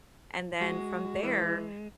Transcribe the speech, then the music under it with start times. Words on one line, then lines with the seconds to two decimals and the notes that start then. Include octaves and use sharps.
and then from there,
0.61 G#3 F#4
1.22 E3